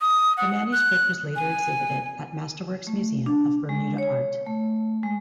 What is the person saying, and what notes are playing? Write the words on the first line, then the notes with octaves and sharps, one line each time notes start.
The manuscript was later exhibited at Masterworks Museum of Bermuda Art.
D#6
F#5
F#6
G#5
A3
D4
G#3
C#5
A3
G#3